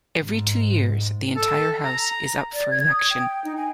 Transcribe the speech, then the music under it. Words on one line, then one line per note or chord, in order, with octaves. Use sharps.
Every two years, the entire House is up for election.
G#2
A4
A#5
D5
G#6
D#6
G5
D#4
G#5